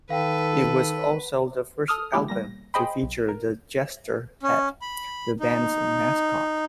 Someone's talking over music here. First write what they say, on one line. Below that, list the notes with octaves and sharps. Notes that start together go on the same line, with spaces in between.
It was also the first album to feature the Jester Head, the band's mascot.
D#3 A4 B4 F5 G5
A4 D#6 F6
D3 E3 G#3 A#3 E4 G4
G3 A#3 A#6
G#4 C5 D#5 G5 B5
B1
A#4
C#4
B5
D#4